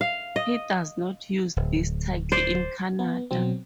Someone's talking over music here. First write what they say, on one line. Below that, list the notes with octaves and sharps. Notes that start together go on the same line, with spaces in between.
He does not use this title in Canada.
F5
D#5
D1
C5 D5
B3
B2 F#3 C4